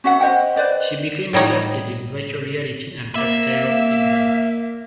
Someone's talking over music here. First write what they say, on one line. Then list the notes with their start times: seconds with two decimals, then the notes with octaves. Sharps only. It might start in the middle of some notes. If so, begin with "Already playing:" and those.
She became interested in virtual reality and tactile feedback.
0.04 C#4 F#4 E5 F#5
0.20 C5 D#5 F#5 G5
0.56 B4 C5 D5 D#5
1.33 A2 G3 D#4 C#5 F#5
3.15 A#3 E5